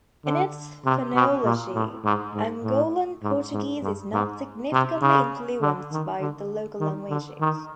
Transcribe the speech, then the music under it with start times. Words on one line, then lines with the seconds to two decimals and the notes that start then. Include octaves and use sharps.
In its phonology, Angolan Portuguese is not significantly influenced by the local languages.
0.25 D3
0.85 C3
1.15 B2
1.44 A#2
1.75 A2
2.04 G#2
2.34 G#2
2.64 A2
3.23 G#2
3.53 G#2
3.82 G2
4.13 G#2
4.73 C3
5.02 C#3
5.61 D3
5.92 D#3
6.20 D3
6.80 D#3
7.10 D3
7.40 D#3